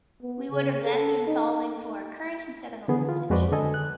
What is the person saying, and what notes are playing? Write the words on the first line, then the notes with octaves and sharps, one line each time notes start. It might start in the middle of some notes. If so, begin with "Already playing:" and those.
We would have then been solving for a current instead of a voltage.
B3
C#3
A4
D#4
D3 E3 B3 G#4
F4
F2 G#3 F#4 B4 C5 D5
D3 A4 D#5 G#5
F#6